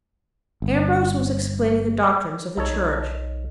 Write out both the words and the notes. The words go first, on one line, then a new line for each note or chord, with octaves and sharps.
Ambrose was explaining the doctrines of the Church.
G1
B1 D#4 A4 C#5